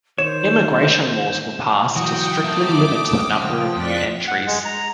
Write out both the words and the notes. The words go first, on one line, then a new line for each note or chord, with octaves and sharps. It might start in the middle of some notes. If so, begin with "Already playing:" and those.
Immigration laws were passed to strictly limit the number of new entries.
D#3 C5 C#5 E7
E3 F#3 F#4 G5 D#6
B3 A4 A#4 E5 D6
G5
C#3 F3
F2 D5 F#6 B6
F#5
G#3
A#5